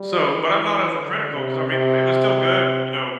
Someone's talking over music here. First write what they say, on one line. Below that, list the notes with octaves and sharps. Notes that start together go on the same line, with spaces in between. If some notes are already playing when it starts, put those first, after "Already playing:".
So but I'm not overcritical, 'cause, I mean, eh, it was still good, you know?
Already playing: G3
E3
D3
C3
C3